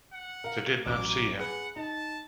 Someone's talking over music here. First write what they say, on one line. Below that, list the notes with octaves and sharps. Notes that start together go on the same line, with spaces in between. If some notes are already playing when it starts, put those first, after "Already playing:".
They did not see him.
F#5
A#4 F5
A1 F#3 D6
G#4 B4 F#5
D#4 A5